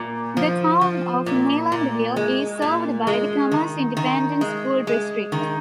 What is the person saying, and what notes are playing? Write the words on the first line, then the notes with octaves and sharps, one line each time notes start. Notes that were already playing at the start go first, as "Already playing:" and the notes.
The Town of Neylandville is served by the Commerce Independent School District.
Already playing: A#2
F3
F3
A#2
A#2
G#3
A#2
G#3
D#3
D#3
G#3
G#3
D#3